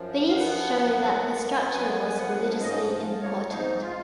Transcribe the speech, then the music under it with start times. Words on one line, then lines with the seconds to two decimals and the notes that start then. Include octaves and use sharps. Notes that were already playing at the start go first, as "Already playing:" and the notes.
These show that the structure was religiously important.
Already playing: F#2 F3
0.29 F5
0.35 B3 F#5
0.80 F#2
1.26 B3
1.72 F#2 G#5
2.09 G#5
2.16 F3 F#5
2.61 G#2 D#5
3.06 F3
3.21 C#5
3.52 G#2 D#4
3.82 F4